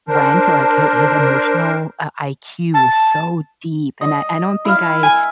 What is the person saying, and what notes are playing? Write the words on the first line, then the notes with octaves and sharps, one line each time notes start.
went to, like, hi his emotional, uh, IQ was so deep, and I I don't think I
D4 A#4 C5 A5
A5
D#5
E4 F5
G#5